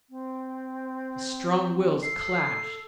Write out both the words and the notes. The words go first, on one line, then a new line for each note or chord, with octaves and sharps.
The strong wills clashed.
C4
A4 C7